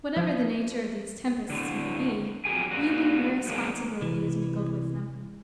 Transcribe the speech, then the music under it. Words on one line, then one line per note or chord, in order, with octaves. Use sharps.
Whatever the nature of these tempests may be, human irresponsibility is mingled with them.
F3
A2 D3
F2 B2 F#3 G4 G#4 G#5
A#2 G3 F#4
F#2 D#3 G#3 A#3 D4
C2 E3